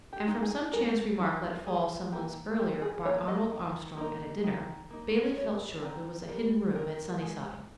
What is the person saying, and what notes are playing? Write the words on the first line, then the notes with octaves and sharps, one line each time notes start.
And from some chance remark let fall some months earlier by Arnold Armstrong at a dinner, Bailey felt sure there was a hidden room at Sunnyside.
G4
D#4
G#4
G#3 A#4
D#4
G3 G#4
A#3 D#4 G4
G3 G4
G#4
A#3 D#4 C#5
D#5
D#3
A#3 D#4
D#3
A#3 D#4
G3 C#5
C4 D#4
G3 A#4
C4 D#4 A#4
G#3